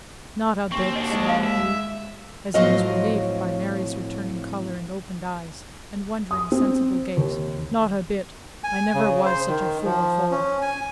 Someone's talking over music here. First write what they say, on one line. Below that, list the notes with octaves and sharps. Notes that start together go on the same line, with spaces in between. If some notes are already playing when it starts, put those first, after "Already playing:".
"Not a bit!" snarled he, as he was relieved by Mary's returning colour, and opened eyes, and wondering, sensible gaze; "not a bit! I never was such a fool afore."
D#2 C4 C#6
D4 F#4 D#5
G#3
F5
E5
A2 F3 F#3 C4 D#5 F5
D#6
C4
D#2
G#5
C#3
C5
D#3
F3
C#4
G#5